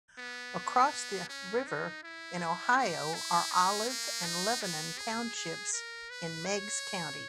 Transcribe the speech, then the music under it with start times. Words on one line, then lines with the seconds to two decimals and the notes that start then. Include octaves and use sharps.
Across the river in Ohio are Olive and Lebanon Townships in Meigs County.
0.19 B3
1.29 C#4
1.67 D#4
2.04 E4
2.77 G4
3.14 E4
3.52 C#4
3.88 A#3
4.25 D#4
4.62 B3
4.98 G#4
5.36 G#4
5.73 A#4
6.10 B4
6.46 C#5